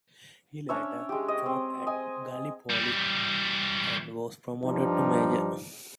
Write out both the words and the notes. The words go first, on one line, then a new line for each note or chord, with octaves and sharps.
He later fought at Gallipoli, and was promoted to major.
C#4 D4 C#5 E5
G#3 G4
D#5
C4
D#5 G#5
E3 G3
G2 F3 G3 D4 D#4